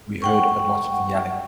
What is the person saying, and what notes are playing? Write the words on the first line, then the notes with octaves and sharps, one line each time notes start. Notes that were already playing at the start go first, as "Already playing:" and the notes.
We heard a lot of yelling.
F#5 G5 C#6